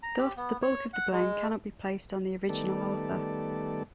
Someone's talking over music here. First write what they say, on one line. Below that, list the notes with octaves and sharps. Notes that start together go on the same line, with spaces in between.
Thus, the bulk of the blame cannot be placed on the original author.
A#5
G4
B3
C#5
F#5
G#3
D#3 G3 A3 B3 A4 D5